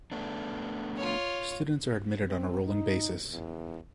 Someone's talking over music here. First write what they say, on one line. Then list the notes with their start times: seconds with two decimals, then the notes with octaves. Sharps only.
Students are admitted on a rolling basis.
0.12 A3 B3 D4
0.96 F4 C#5
2.29 C4
2.66 D#4
3.32 E2